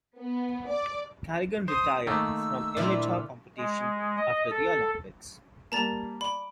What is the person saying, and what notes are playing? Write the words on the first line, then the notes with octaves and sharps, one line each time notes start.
Kerrigan retired from amateur competition after the Olympics.
B3
D5
C5 D#6
D#3 A3 A#3 E6
A#2 D3 E4 F4 C5 D5
G#3
D#5
A4
G3 A#3 A5 A#5 A6
D5 B5